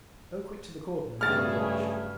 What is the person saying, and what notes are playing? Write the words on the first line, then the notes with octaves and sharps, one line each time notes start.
'Go quick to the cordon and I will watch.
G2 C#3 F#3 A3 G#4 F6 A6